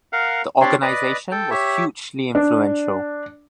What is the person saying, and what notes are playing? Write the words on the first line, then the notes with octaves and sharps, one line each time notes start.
The organization was hugely influential.
A#4 F5 F#5
C4 D4 G4 C#5 D5 C6
B4 D5 D#5
A4 G5
G4 C#5 E5
D4